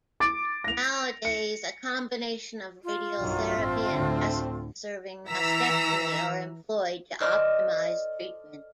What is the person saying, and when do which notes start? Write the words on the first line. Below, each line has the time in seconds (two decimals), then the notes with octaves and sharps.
Nowadays, a combination of radiotherapy and breast conserving mastectomy are employed to optimize treatment.
0.20 D6 A6 D7
0.64 A#6 F7
1.25 C#7
2.84 F4
3.21 B1 G2 D#3 F#3
3.57 A1 A3 C4
3.92 D2 A2 D3
5.29 E3 A#5 E6 B6
7.20 A4 C5 D5 D#5 F6